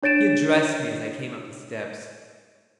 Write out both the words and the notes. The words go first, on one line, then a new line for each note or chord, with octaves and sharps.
He addressed me as I came up the steps.
D4 C#5 A6 D7 E7